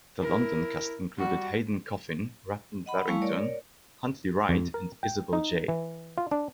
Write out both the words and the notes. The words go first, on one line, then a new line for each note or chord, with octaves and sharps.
The London cast included Hayden Coffin, Rutland Barrington, Huntley Wright and Isabel Jay.
E4 A#4
G3 F#4
D#5 F#5 B5
G3 A3 E4 F5 G#5 C#6
A#4 C#5 D5
F2
A#4
G5
D#4
E3
F4
D4